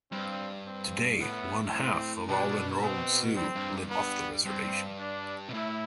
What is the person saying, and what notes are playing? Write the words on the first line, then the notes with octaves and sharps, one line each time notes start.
Today, one half of all enrolled Sioux live off the Reservation.
G2 C4
C4
A2 B3
C4
B2 D4
C4
G2 C4
G2
B3
G2 C4
D4
B2
A2 E4